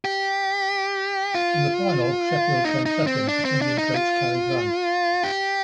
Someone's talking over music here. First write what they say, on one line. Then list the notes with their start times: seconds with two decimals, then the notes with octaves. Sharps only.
In the final, Sheffield came second to singing coach Carrie Grant.
0.05 G4
1.34 F4
2.65 D#4
2.86 D#4
3.07 C4
3.29 D4
3.45 C4
3.61 D4
3.78 D#4
3.94 F4
5.24 G4